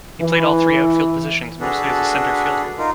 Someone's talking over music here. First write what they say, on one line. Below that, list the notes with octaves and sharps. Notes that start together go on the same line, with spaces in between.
He played all three outfield positions, mostly as a center fielder.
E3
D4 F#4 G#4 A4 B4
D#4 F4 A#4